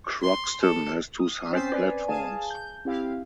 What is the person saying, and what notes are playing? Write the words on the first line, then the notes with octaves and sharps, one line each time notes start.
Croxton has two side platforms.
C6
A4
D#6
C4 C#4 C5 A6 B6 C7
B4 D5 G#5
G#4 F5 G#5 A5
G6
C4 E4 G4 F5